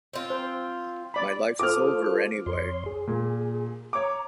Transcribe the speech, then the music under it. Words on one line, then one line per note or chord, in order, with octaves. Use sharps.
My life is over anyway.
C4 F4
C5
D5 B5
F4 A4 C5 D6 D#6 F6
F2 C#5 C6
G#4
A#2
C#5 A#5 D6